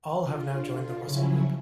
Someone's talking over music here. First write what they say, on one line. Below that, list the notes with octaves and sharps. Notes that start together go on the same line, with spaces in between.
All have now joined the Russell Group.
D3 F4
C#3 F3 F#3 C#4 E4